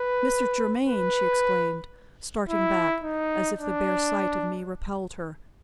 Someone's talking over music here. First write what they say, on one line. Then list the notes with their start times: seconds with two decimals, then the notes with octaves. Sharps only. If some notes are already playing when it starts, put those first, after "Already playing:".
"Mr. Germaine!" she exclaimed, starting back, as if the bare sight of me repelled her.
Already playing: B4
0.86 B4
2.50 E4
3.04 D#4
3.59 D4